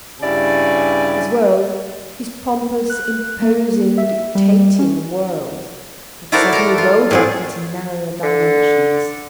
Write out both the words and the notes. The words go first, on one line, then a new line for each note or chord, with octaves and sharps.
His world, his pompous, imposing, dictating world, had suddenly rolled up into narrower dimensions.
G2 C#3 E4 D5 G#5
F#6
A#3
E5
G3
C#4
E4 F#4 A4 A#4 C5 D5
A4 A#4
F4
A2 C4 G#4
D3